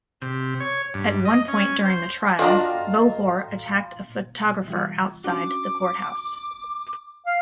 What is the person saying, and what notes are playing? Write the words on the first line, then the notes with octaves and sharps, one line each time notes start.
At one point during the trial, Vohor attacked a photographer outside the court house.
C3
C#5
G2
D#5
C#4
C5
D4 F4 F#4 A4 D#5 F5 G5 A#5
E3 G3 F4
C#4 D4 F#4 D6
F5